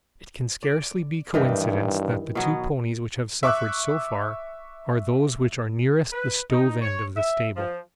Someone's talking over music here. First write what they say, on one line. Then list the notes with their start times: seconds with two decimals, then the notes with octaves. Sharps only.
It can scarcely be coincidence that the two ponies which have suffered so far are those which are nearest the stove end of the stable.
0.63 D5
1.34 G2 D#3 E3 G4
2.35 B2 F#3 B3
3.43 E5 C#6 D6 E6 F#6
6.12 B4
6.51 D#4
6.81 C#5
7.17 E5
7.56 F3